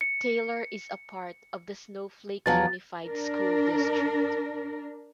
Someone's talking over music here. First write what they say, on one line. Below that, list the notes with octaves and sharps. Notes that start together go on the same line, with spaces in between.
Taylor is a part of the Snowflake Unified School District.
C#7
E2 F3 F#3 A6
D4 A#4